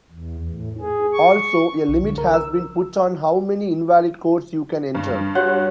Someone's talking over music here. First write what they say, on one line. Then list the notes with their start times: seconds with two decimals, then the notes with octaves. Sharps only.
Also, a limit has been put on how many invalid codes you can enter.
0.12 E2
0.50 A2
0.80 G#4
1.13 C#6
1.89 B1
2.04 D3
2.18 A#4
2.34 E6
4.95 G2
5.35 F#4 G4 C#5 F#5